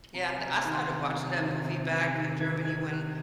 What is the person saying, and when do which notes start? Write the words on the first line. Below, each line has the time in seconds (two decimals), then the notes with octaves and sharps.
Yeah, and I started watching that movie back in Germany when,
0.14 C3 A#5
0.26 A#5
0.33 G#5
0.39 C3
0.53 A#5
0.65 D#3
0.71 C6
0.89 C3
1.14 C3
1.39 D#3
1.65 C3
1.89 C3
2.15 D#3
2.40 D#3 G#6
2.65 D#3 G#6
2.90 D#3 F#6